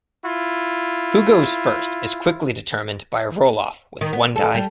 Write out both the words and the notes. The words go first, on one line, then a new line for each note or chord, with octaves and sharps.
Who goes first is quickly determined by a roll-off with one die.
E4 F4
D#3
B3
A4
G3